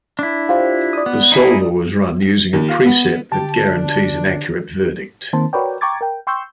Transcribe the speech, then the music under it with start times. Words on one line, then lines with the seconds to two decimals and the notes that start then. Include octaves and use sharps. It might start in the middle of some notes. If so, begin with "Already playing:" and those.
The solver was run using a preset that guarantees an accurate verdict.
0.19 D4 E4
0.49 F4 G4 C5
0.93 D5 D#6
1.06 B3
1.32 D#4 E4 G#4
2.53 D#2
2.68 F4
2.86 B3
3.32 D3 G4 A5
3.64 D4
5.33 D#3 A#3 C4 C5 A5
5.53 F#4 A#4 B4 C#5 D5 G5
5.81 G5 A#5 C#6 D6 G#6 A6
6.01 A#4 G5
6.27 G5 C6 C#6 E6 G6